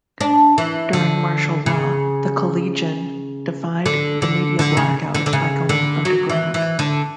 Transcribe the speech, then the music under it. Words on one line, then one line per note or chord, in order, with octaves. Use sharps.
During Martial Law, the Collegian defied the media blackout by going underground.
D4
E3
D3
C#3
D3
D3
D3
C#3
D3
D3
C#3
D3
F#3
E3
E3
D3